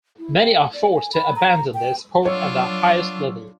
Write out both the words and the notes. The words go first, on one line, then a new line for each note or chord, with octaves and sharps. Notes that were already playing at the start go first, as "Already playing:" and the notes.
Many are forced to abandon their sport at the highest level.
E4
G5
F#5
D5
G#5
B5
A#5
G5
F#3 D4 F4 C#5 C#6 E6